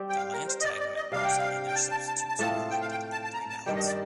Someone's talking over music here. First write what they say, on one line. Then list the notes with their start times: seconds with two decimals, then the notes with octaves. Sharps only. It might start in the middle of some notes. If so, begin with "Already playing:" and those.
The Landtag members and their substitutes were elected in three ballots.
Already playing: G3 C4 G4
0.09 G5
0.17 F5
0.33 A#4
0.48 C5
0.60 D#5
0.64 D5
0.79 D5
0.96 D#5
1.12 C3 G3 D4 F5
1.24 G5
1.38 F5
1.67 G5
1.75 A5
1.91 A5
2.07 A5
2.18 A5
2.28 A5
2.39 A2 A3 C4 F4 A5
2.70 G5
2.82 F5
2.91 G5
3.12 A5
3.24 A5
3.34 A#5
3.50 A5
3.66 G2 D#3 G3 G5
3.76 D#5
3.86 D5